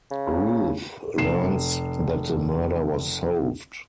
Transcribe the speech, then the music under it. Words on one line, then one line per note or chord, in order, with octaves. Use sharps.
Ruth learns that the murder was solved.
C#3
F1 C7 E7